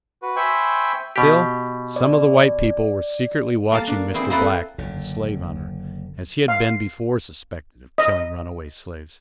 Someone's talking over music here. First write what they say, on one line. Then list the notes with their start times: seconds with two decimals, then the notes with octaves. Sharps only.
Still some of the white people were secretly watching Mr. Black, the slave hunter, as he had been before suspected of killing runaway slaves in the woods.
0.22 F#4 B4
0.36 C5 E5 G5 G#5 B5 C#6
1.16 B2 G4
1.96 D5
3.72 A#3 F5 A5
3.87 D4
4.14 C4 E4 G#4 C5
4.30 A#3 C4 E4 A4 B4
4.78 F#1 D3
6.48 F5
7.98 D#5